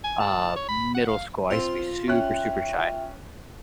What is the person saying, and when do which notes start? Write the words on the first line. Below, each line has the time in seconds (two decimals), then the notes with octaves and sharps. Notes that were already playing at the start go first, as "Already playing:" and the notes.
uh, middle school I used to be super, super shy,
0.04 G#5
0.20 A5
0.56 C#5
0.68 B5
0.95 F#5
1.08 F5
1.51 C4 F4
2.08 C#4 E5 G5 F#6